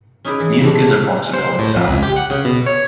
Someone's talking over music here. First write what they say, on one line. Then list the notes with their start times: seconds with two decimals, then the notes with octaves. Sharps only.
Munich is approximately south.
0.25 C#4 D#4 E4 G#4 B4 D5
0.40 E3
0.61 C3 G#3 A3 D4
0.87 F#4 B4 F5
1.33 C5
1.59 A2
1.75 F2
1.88 C#2
2.03 G4
2.16 F#5
2.30 C#3
2.45 B2
2.66 C#5